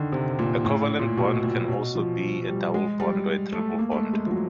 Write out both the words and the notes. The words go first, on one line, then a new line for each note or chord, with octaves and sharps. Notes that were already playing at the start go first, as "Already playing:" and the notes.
A covalent bond can also be a double bond or a triple bond.
Already playing: D3 D#3
C3
A#2
A2
A#2
B2
A#2
B2
F3
G3
G#3
G3
A3
A#3
A3
G#3
G#3
F3
F#3